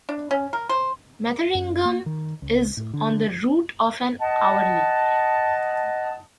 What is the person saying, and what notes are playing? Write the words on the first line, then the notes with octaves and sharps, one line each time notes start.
Metheringham is on the route of an hourly.
D4
C#4
A#4
C5
F#2
A#3
D#3
C#2
A2
D3
D#5 F#5 A5